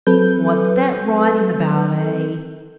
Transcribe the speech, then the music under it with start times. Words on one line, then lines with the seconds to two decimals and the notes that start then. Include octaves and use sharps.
'What's that writing about, eh?'
0.07 F#3 C4 A4 B4 G6